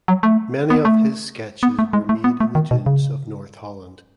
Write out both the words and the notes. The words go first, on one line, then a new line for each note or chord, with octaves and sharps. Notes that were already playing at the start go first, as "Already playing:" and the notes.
Many of his sketches were made in the dunes of North Holland.
F#3
A3
B3
A3
B3
A3
G#3
A3
B3
A3
D#3
B2
C#3